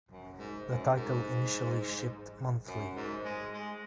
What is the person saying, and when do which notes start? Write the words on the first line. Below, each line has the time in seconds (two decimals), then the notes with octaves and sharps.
The title initially shipped monthly.
0.09 F#2
0.38 G#2
0.67 F#2
0.95 G#2
2.68 F#2
2.96 G#2
3.25 G#3
3.54 G#3